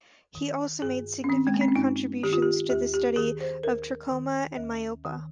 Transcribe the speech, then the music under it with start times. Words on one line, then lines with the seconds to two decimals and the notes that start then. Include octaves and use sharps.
He also made significant contributions to the study of trachoma and myopia.
0.35 D#3
0.82 G2 G#4
1.24 C#4
1.29 D#3 C4
1.47 G#3
1.54 A#3
1.61 C4
1.68 C#4
1.76 G2 D#4
2.23 D#3 G4
2.33 F4
2.42 G4
2.70 D#2 G4
2.94 G4
3.16 D#3 G#4
3.41 C5
3.63 D#2 A#4
4.11 D#3
4.57 D#2
5.05 D#3